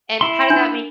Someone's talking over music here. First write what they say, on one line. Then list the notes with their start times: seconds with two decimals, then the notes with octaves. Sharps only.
And how did that make
0.21 E4 C6
0.50 D4